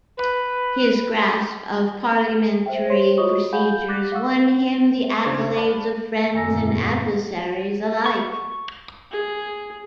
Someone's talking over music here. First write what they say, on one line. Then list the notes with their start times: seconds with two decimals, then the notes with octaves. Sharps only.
His grasp of parliamentary procedures won him the accolades of friends and adversaries alike.
0.17 B4
2.66 C5 E5 G5
2.86 C5 C#5 C6
3.18 F4 F#4 C#5 D#5 C#6 D#6
3.53 F5 F#5 G#5 B5 G6
3.88 D6 F#6 A6 A#6
4.12 F5 F#5 C#6 E6
5.23 F2 C#3 D4 C5 D5 G#6
5.41 C#6
5.56 B4 D5 F5 A5
6.32 F#2 D#3 G#5 A#5 E6 A#6
6.45 E2 A#2 D3 A#3 C4
6.57 E4
6.85 F5
8.06 C#6
9.11 G#4